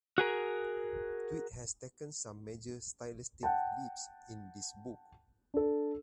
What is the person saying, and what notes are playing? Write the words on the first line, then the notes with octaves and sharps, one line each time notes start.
Tweet has taken some major stylistic leaps in this book.
F#4 G#4 A#4
F#5 G5 A5
D4 A4